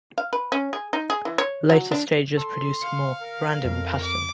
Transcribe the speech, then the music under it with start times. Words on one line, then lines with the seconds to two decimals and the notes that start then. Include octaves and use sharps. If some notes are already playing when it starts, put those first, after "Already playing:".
Later stages produce a more random pattern.
0.18 F5
0.33 B4
0.52 C#4
0.73 G#4
0.93 D#4
1.10 G#4
1.25 E3
1.38 C#5
1.70 F#3
1.92 D4
2.37 A4 C6
2.82 F5 C#7
3.22 A#4
3.65 F2
4.01 D6